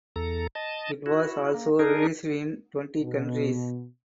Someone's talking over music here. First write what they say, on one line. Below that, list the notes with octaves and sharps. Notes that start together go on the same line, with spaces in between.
It was also released in twenty countries.
E2 A4 A#5
D#5 A5
E4 F#4
A#3
D4 D#4 G#4 A#4
B2